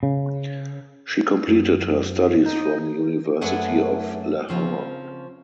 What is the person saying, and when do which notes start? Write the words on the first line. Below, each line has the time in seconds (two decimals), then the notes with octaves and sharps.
She completed her studies from University of Lahore.
0.03 C#3
1.48 F#2
2.46 D#4
3.41 F#2 A3 D4 G#4 B4 F#5
4.49 C#3 F3 C4